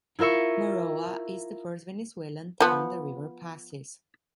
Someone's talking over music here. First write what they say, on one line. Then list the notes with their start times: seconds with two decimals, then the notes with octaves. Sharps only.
Maroa is the first Venezuelan town the river passes.
0.19 E4 F4 A#4 E5 C#6
2.60 F3 B3